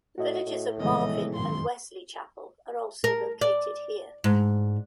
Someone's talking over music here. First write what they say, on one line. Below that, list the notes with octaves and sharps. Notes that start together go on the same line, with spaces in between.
The villages of Marvin and Wesley Chapel are also located here.
A2 F#4 D#5
A2
A#1 C#3 E3 G#3 B3 D#5
F#2 D#3 E3 C6
A#4
D5
G#2